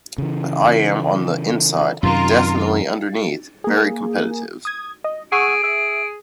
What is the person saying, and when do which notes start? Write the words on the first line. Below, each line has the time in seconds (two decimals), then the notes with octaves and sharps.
But I am on the inside, definitely - underneath, very competitive.
0.18 C#3 E3
2.03 F#2 C3 D#3 F4 A#4
3.64 A#3 G#4
4.65 D#6 G#6
5.04 D#5
5.32 G#4 F#5 C#6 E6 D7
5.64 G#4 E5